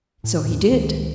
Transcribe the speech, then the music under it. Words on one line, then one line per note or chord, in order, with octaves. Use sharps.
"So he did."
A2
E2 A2
C#2 D#3 G#3